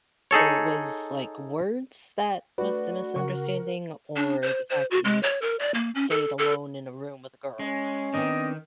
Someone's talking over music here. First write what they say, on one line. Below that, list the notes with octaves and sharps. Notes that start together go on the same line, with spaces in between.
So it was, like, words that was the misunderstanding, or the fact that you stayed alone in a room with a girl?
D#4 G#4 A4 C#5
A3 D4 F#4 B4 D5
C#3 A#4 F#5 C#6
D4
C5
C5
F#4
G#3
C#5
A#4
D5
A#3
C#4
A4
A4
G#3 C#4
D#3 B3 C4 D4 D#5